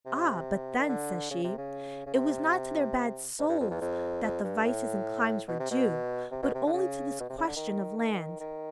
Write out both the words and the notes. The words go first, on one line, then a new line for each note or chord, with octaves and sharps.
'Ah, but then,' says she, 'it was not to their bad souls that the vices and climes were due, but only to this question of land.
C3
D#3
D3
C#3
C3
C#3
C#3
C3
G#2
G2
F2
E2
F2
F2
G2
A2
B2
C3
B2
C3
B2
C3
D3
C#3
B2
C3
C#3
D3
D#3
D#3
D#3